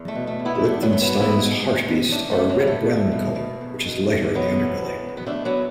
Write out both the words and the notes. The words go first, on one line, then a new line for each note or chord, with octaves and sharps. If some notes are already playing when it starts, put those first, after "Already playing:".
Lichtenstein's hartebeest are a red brown colour, which is lighter on the underbelly.
Already playing: E2
A3
B2
A3
E2
B3 E4
E4
E2 A3 D4
F#3 B3
E2 A3
F#3 B3
E2
B3 E4
B2
B2
B2
E2 A3 D4
A3
E2
F#3
B2 F#3
A3
B2
B2
B2
E2
B2
E2
B2 F#3 B3
E2
B2
E2
B3
A3 D4
E2
F#3 B3